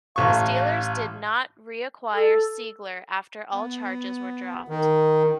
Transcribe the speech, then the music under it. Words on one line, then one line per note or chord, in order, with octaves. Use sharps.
The Steelers did not reacquire Seigler after all charges were dropped.
A1 F5 C#6
A4
B3
D#3